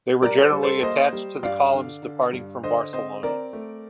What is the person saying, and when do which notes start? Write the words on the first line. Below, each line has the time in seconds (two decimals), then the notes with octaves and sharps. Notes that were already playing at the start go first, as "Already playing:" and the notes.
They were generally attached to the columns departing from Barcelona.
0.22 G3 A#4 D5
0.42 A4 C5
0.52 G3
0.62 A4 C5
0.82 A#3 C5 D#5
1.13 G3
1.43 G2 D5 F5
1.73 D3
2.03 D3
2.33 G2
2.63 D3 C5 D#5
2.93 C4 C5 D#5
3.23 C4 A#4 D5
3.53 A3